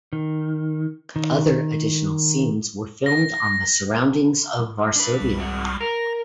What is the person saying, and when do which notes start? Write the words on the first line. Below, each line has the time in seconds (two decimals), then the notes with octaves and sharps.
Other additional scenes were filmed on the surroundings of Varsovia.
0.13 D#3
1.16 D#3
3.06 A#6
4.96 D4 B4
5.20 C2 G3
5.37 G#2 C4 F#4
5.81 A#4 A#6